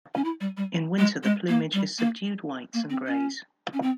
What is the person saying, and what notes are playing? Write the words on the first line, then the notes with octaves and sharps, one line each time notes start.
In winter, the plumage is subdued whites and greys.
C#4
E4
G3
G3
G#3
G#3
A#3
G3
A#3
A#3
C4
C#4
C#4
C4